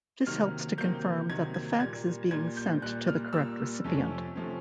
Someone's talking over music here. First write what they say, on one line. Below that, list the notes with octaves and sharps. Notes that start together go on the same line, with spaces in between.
This helps to confirm that the fax is being sent to the correct recipient.
C3 D#3 F#3 A#3 F6
C3 D#3 F#3 A#3 G6
C3 D#3 F#3 A#3 G#6
G#6
A#2 G3 A#3 G#6
A#2 G3 A#3 G#6
G6
A#2 G3 A#3 F#6
F6
A#2 G3 A#3 E6
F2 C3 F3 A3 C#4
C3 F3 A3 C#4